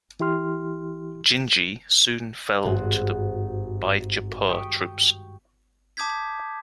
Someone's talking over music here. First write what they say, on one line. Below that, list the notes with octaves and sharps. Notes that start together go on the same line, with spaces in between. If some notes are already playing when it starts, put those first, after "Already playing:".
Gingee soon fell to the Bijapur troops.
E3 E4 G4 C6 F6
G#1 G2 F#4 C5 F#5 D#7
G5 C#6 D#6 B6 D7
A5 D6 D#6 G6 G#6 B6